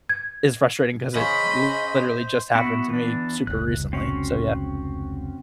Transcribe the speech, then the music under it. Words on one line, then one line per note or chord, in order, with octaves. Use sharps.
is frustrating 'cause it literally just happened to me super recently, so yeah.
G#6
C#3 C5 D#5 B5
B3 E4 F#4
E3 D4
F1 C#2 F#6
C4 C#4 F#4